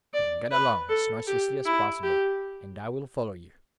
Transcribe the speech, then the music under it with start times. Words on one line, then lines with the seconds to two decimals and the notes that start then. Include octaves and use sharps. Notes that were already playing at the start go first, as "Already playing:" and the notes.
"Then get along as noiselessly as possible, and I will follow you."
0.14 D5
0.51 B4
0.89 A4
1.27 G4
1.66 E4
2.03 G4